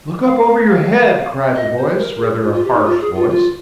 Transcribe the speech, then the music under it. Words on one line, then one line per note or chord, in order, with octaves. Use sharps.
"Look up over your head," cried the voice, rather a harsh voice.
F5
F5
D#5
C5
A#4
A#4
G#4
F4
F4
G4
D#4
F4
G#4
F4
F4